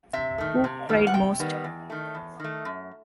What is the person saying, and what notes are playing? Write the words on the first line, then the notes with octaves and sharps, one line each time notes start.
Who cried most?
C3 E5
D#3 A3
C3
D#3 G3 B3
F#5
C3 G5
D#3 G3 B3
E2
D#3 A3
E2
D#3 A3
F#2